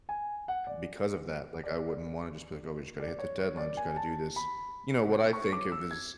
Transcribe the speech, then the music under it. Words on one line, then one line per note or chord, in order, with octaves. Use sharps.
because of that, like, I wouldn't wanna just be, like, "Oh, we just gotta hit the deadline. Just gotta do this," you know, what I think of is
G#5
F#5
D5
D5
D5
C#5
C#5
D5
G#5
A5
B5
C#6
D6
E6
G#6